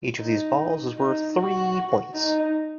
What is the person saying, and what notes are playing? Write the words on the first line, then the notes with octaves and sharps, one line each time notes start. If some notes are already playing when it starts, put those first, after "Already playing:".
Each of these balls is worth three points.
D#4
D#4
F#4
D#4